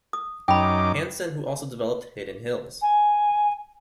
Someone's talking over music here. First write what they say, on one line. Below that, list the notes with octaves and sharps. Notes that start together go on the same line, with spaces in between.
Hanson, who also developed Hidden Hills.
D#6
F#2 D#4 G5 B5 D6
G#5